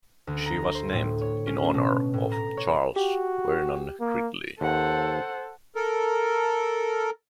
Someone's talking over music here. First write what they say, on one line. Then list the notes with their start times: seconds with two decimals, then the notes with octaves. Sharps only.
She was named in honor of Charles Vernon Gridley.
0.27 D2
0.46 A#5
0.75 C5
0.93 A2
1.21 C#5
1.47 C#4
1.74 B2
2.14 A2
2.32 A#5
2.57 C#5
2.96 F#4 G4
4.00 A#3
4.61 D#2 A4 C5 F#5
5.75 A4 A#4